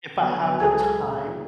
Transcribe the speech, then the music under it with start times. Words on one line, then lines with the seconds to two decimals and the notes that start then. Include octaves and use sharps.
If I have the time,
0.16 D3 F#3 B3
0.60 C#2 G#4 A4 G#5
1.02 A#2